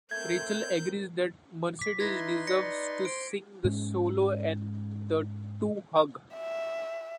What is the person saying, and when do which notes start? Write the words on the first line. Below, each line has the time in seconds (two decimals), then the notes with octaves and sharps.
Rachel agrees that Mercedes deserves to sing the solo and the two hug.
0.11 A3 C4 A#4 G6 G#6
1.79 D6 B6
2.00 D#4 E4 B4 C6 G#6 A#6
2.47 D5 A#6 C#7
3.05 C5 C6 D7
3.64 G#2 G#3 C#4
6.35 E5